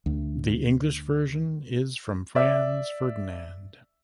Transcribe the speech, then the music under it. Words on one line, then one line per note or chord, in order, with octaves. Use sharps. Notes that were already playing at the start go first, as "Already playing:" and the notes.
The English version is from "Franz Ferdinand".
D2
D5 E5